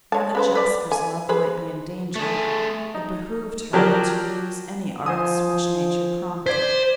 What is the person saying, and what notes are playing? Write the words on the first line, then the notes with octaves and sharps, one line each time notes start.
Now that Jasper's love might be endangered, it behoved her to use any arts which nature prompted.
C#5 A5
C#3 B4 C5
B4 D5
G#5
G#4 B4 C5
A3 G#4
D#4
F3 F#3 G4 A#4 D5
F3 C5 G#5 D#6
C5 D5 G#6 B6